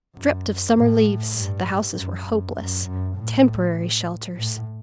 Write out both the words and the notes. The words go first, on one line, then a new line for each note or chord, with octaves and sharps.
Stripped of summer leaves the houses were hopeless--temporary shelters.
F#2
A2
G2
F#2
F#2
F#2
F#2
A2
A2